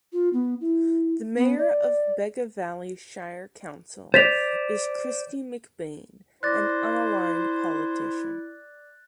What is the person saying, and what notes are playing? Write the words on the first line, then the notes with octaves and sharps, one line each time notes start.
The Mayor of Bega Valley Shire Council is Kristy McBain, an unaligned politician.
F4
B3
E4
B3
D5
C5 D5 A6 B6 F7
E4 C5 D5 D6 F#6 A6 A#6